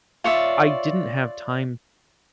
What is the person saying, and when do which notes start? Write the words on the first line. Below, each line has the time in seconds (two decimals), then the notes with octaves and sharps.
I didn't have time
0.24 F4 C#5 D5 E5